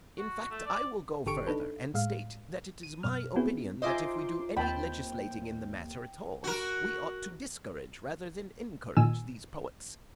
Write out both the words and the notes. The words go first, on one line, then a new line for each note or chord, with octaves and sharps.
In fact, I will go further and state that it is my opinion that if we do any legislating in the matter at all, we ought to discourage rather than encourage these poets.
F#4
A3
D5
G1 D3 G4 A4 C#6 D7
D4 D#4 A4 B4
A2 G#3 F5
D#7
F#2 B2 F6
B3 C4 E4 F#4 G#4 B4
D#4 F4 C5 D#5 E5 G#5 C6 D6
D#2 C4 G5 A5 B5
F#4 A#4
A#2 D#3 G#5 E6